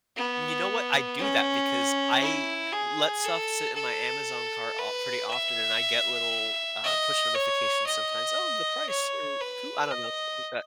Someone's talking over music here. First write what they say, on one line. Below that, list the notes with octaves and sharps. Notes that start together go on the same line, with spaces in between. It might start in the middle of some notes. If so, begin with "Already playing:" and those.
you know what, I do that because I let stuff sit in my Amazon cart of pretty often, and I get little, uh, push notifications sometimes. "Oh, the price," or "cou" I don't know, stuff like that.
B3
C#4
E4
G#4
A4
A4
B4
E5
D#5
C#5
D#5
C#5
B4
D#5